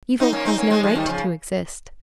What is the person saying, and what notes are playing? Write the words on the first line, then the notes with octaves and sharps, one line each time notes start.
Evil has no right to exist.
C4 D#4
A#3 C#4
C4 D#4
A#3 C#4
G#3 C4
F3 G#3
D#3 G3
C#3 F3